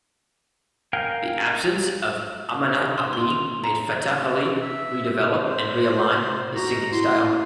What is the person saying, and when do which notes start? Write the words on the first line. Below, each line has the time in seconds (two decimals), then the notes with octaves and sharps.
The absence of Amanat Ali made Fateh Ali redevelop and re-align his singing style.
0.93 A#4 F5 G5 G#5
2.98 C6
3.13 C6
3.30 F7
3.64 A#5
4.62 E5
5.43 C5
6.55 F#4 A#5
6.92 E4 C6